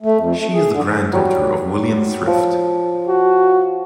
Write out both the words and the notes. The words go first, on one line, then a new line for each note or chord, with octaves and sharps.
She is the granddaughter of William Thrift.
A3
F2
A3
G#4
D3
F#3 G3
F3
F#4